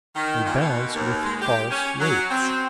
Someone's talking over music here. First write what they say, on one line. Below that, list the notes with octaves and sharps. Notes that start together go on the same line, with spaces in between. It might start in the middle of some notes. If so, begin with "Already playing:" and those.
A balance with false weights.
D#3
A#2
B2
D#2
G#3
G4
C#4
F#3
C4